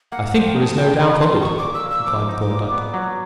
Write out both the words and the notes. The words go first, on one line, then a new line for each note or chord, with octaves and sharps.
"I think there is no doubt of it," replied Thorndyke.
A#3 F#5
F#5
F3
G5
D#4
A5
A#2 G5
A#3 B5
F3 C6
D#4 C#6
D6
A#2
E6
A#3
E6
F3 D6
D#4
A#2
B3
F#3